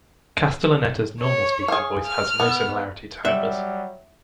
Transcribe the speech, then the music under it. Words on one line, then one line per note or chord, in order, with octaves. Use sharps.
Castellaneta's normal speaking voice has no similarity to Homer's.
C#5
G#4 F5
F6
B3
F#3 G3 E5